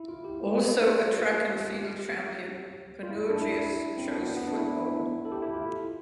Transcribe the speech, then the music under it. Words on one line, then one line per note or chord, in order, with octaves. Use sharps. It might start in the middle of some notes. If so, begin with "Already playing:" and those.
Also a track and field champion, Panourgias chose football.
Already playing: E4
F4
G4
F4
G4
F4
E4
D4
E4
C4
D4
B3
B3
D4
E4
A4
G4
E4
F4